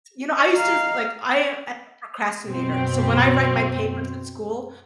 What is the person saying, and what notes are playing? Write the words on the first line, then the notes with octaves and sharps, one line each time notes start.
You know, I used to like, I am I am a procrastinator, so when I write my papers at school,
D#5 F5 A#5
F#2 B2 C4